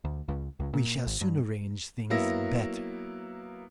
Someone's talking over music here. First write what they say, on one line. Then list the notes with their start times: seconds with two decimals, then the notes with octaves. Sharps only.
We shall soon arrange things better.
0.04 D2
0.28 C#2
0.60 C#2
0.73 A#2
1.06 G#1
1.21 G2
2.10 F#3 A#3 B3 E4 A#6